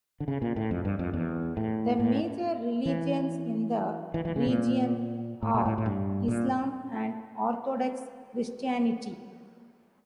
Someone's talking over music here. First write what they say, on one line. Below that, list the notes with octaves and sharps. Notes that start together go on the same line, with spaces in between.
The major religions in the region are Islam and Orthodox Christianity.
D3
C#3
A#2
A2
F2
G2
F2
E2
A2
A2
E3
E3
E3
C#3
A#2
A2
A#2
A2
A2
G2
A#2